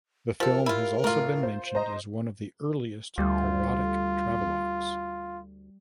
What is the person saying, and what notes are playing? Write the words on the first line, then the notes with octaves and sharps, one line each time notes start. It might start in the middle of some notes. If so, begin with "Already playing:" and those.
The film has also been mentioned as one of the earliest parodic travelogues.
F3 G4 A4 A#4
E4 F4
A2 A#3 F4
C5
C5 D#5 A#5
D2 G3 F4